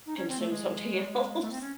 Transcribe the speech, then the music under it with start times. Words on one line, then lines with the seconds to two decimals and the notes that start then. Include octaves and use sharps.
consume something else.
0.06 D#4
0.17 C#4
0.28 C4
0.39 A3
0.50 G#3
1.42 A3
1.51 C4
1.61 C#4